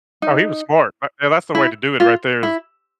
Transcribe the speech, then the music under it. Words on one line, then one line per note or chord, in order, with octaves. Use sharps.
Oh, he was smart, a and that's the way to do it, right there is
D#4
E4
F4
E4